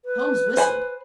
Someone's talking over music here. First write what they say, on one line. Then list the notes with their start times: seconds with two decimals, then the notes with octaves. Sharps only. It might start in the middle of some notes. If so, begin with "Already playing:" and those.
Holmes whistled.
0.05 B4
0.57 C5 G#5 B5